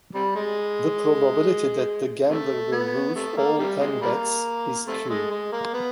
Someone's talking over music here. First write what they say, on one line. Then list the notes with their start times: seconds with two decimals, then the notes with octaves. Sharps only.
The probability that the gambler will lose all "n" bets is "q".
0.15 C3 G3
0.36 G#3
2.29 C3 A3
2.72 B3
3.16 C3 A3
3.37 A#3
3.59 C3 G3
3.80 C3 G#3
4.02 G3 A#3
4.88 C3 A3
5.10 G#3
5.30 G#3
5.52 A#3
5.74 B3